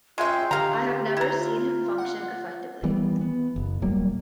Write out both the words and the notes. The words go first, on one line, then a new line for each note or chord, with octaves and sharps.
I have never seen him function effectively.
G#3 C#4 F4 E5 G5 C6
D3 G4 F5 A#5
E4 A#5
F4
F#5
D#3 E3 G3 B3
B3
F#1
D#1 F#3 G3 A#3